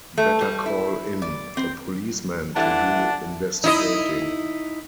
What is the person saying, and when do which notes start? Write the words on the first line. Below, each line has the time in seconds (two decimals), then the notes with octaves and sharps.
Better call in a policeman to do investigating.
0.18 A3
0.41 G3
0.66 E4
1.22 D5
1.57 C4
2.56 E3 G3 A3 D4 F#5 A5
3.64 D#4 E4 D#5